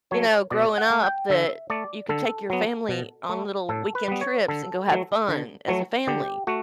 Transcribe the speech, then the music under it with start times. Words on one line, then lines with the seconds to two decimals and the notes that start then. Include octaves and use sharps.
you know, growing up that you could take your family on little weekend trips and go have fun as a family.
0.11 F#3 A3 C#5
0.51 B2 D5
0.78 F#5
0.90 A3
1.04 G5
1.30 D3 E5
1.70 A3 D5
2.09 D3 A4
2.50 F#3 B3
2.89 B2
3.29 A3
3.69 A2 A4
3.95 B4
4.08 G3 B3
4.21 C#5
4.48 D3 A4
4.88 F#3 A3
5.28 D3
5.68 F#3 A3
6.07 D3 G4
6.47 A3 F#4